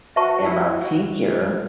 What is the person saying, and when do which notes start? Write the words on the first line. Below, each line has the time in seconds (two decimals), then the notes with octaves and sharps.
and my teacher
0.16 F#4 B4 E5 A5 C#6
0.43 E4
0.71 F#4